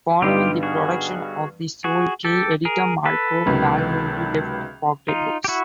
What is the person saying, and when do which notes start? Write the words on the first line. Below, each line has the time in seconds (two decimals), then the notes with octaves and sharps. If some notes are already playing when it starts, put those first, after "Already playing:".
Following the production of "The Soul Key", editor Marco Palmieri left Pocket Books.
0.22 G2 D3 G3 B3 D#4 F4 G4
0.63 F#4 G#4
1.84 F#4 G#4
2.25 G4 A4
2.65 G#4 A#4
3.05 A4 B4
3.46 C#2 C3 D#3 F#3 B3
5.08 D#4 F4
5.44 G4
5.48 E4 F#4